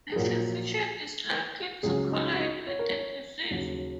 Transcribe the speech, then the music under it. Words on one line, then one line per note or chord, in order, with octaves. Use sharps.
The physician is likely to collide with the disease.
G#4
A#1 A#2 F#3 A#4
C#2 C#3 F#3 G#4
D#4
F#4
D#4
C#5
A#4
C#5
D#2 C#3 F#3